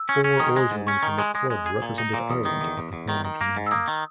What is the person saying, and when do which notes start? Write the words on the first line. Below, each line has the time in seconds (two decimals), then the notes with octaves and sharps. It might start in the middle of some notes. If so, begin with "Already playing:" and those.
Four oarswomen from the club represented Ireland at the Home Internationals.
Already playing: E6
0.09 C#4
0.24 C#4
0.39 D#3 D#6
0.56 G#3
0.71 G#2
0.87 C#4 C#6
1.03 D#3
1.19 G#3
1.35 G#3 D#6
1.50 G#3
1.66 G#4
1.82 A#2
1.98 D#4
2.14 A#2
2.29 E2 D#6
2.45 D#3 D#6
2.61 E2 D#6
2.78 E2
2.93 E2
3.09 D#3
3.25 D#3
3.41 A#3
3.57 G#2
3.67 E6
3.71 A#3 D#6
3.88 D#3